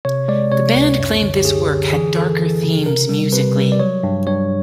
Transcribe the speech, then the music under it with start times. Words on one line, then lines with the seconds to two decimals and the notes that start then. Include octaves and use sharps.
The band claimed this work had darker themes musically.
0.05 C3 C#5
0.28 G#3 D5
0.52 C3 C#5
0.75 C#2
0.98 F#2
1.22 D3
1.37 G4
1.45 F#2 G#4
1.68 D3
1.92 E3 G#4
2.16 E3 A4
2.39 E3
2.63 C#3
2.86 C3 A#4
3.09 G3
3.32 C3 B4
3.56 G3
3.72 D5
3.80 F#3 C#5
4.03 G2
4.27 G2 C#5